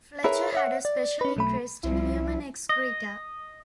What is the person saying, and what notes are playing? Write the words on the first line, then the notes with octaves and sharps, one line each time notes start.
Fletcher had a special interest in human excreta.
E4 G#4 A#4 B4 C#5 E5
C#5 E5 F#5
D5
C#4 B4
B1 A3 B5
C2 F3 G3 E4
D#5